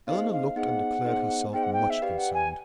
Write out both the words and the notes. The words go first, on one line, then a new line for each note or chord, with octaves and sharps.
Eleanor looked and declared herself much concerned.
B3 D#4 G#4 C5 D#5 F5
F5
B3 D#4 G#4 C5 D#5 F#5
B3 D#4 G#4 C5 D#5
B3 D#4 G#4 C5 D#5 G5
F#5
G5
E5
G4 B4 D5 F5 G5
F#5
G#5